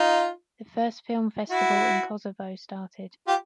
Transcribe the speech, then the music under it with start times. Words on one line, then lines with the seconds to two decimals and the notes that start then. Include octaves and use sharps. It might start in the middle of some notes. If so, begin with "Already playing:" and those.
The first film festival in Kosovo started.
Already playing: D#4 F4
1.50 E4 F#4
3.27 F4 G4